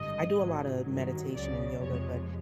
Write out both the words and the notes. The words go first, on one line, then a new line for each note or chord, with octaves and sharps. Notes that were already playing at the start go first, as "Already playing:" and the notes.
I do a lot of meditation and yoga, but
Already playing: G#1 G2 D3 D#5
G#1 G#2 D#3 F#3
G2 D#3 F#3
C#2 C#3 F#3 D5
F2 C3 F3 G#3 C#5